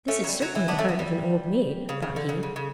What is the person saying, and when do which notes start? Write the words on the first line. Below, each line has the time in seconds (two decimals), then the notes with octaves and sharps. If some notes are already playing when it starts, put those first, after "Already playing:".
"This is certainly the heart of an old maid," thought he.
0.08 A3 C#4
0.24 F#3
0.29 G3
0.42 F#3
0.55 E3
0.68 B3 D4
0.78 A3 C#4
0.88 G3 B3
0.99 G3
1.89 C#3
2.02 C#3
2.16 D3
2.29 C#3
2.43 C#3
2.56 C#3